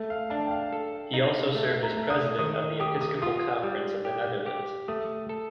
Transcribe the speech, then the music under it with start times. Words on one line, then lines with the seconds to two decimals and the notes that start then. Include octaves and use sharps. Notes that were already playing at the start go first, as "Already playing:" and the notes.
He also served as President of the Episcopal Conference of the Netherlands.
Already playing: A3
0.10 F5
0.30 D4 A5
0.46 G5
0.51 F5
0.73 A4
1.14 D#4
1.55 A3
1.83 A#5
1.97 A3
2.10 D#6
2.39 D#3 D#6
2.80 G4 D#6
3.01 D#6
3.22 F4 D#6
3.63 G3
4.05 G4
4.46 G4
4.88 A3 D#6
5.29 A4